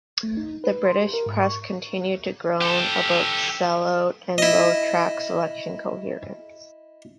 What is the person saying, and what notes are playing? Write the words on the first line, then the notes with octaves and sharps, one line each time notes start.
The British press continued to groan about sell-out and low track selection coherence.
A3
D#4
B4
C6
G4
A#4
G#2
C#6
G4 A4
E4 D#5